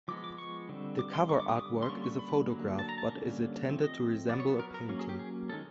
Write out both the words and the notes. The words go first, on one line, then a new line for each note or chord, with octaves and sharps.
The cover artwork is a photograph, but is intended to resemble a painting.
F3 G#3 B3 D6
D6
C#6
D3 G3 C4
D6
C6
D3 G3 B3 C#6
D6
D#6
D6
C6
D3 G3 A#3 C#4 C#6
C#6
B5
D3 F#3 A#3
A5
A#5
A5
D3 G3 A#3 C#4
F3 A3 C4
D#5
F#3 B3 D5
C#5
A#4
A#4
F#3 A#3 C#4
G#4
G4
G#4
D#3 G#3 C#4 A4